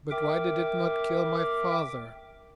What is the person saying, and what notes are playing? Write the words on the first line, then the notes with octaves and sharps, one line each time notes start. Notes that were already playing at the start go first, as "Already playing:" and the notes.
"But why did it not kill my father?"
A#4 E5 G5 D6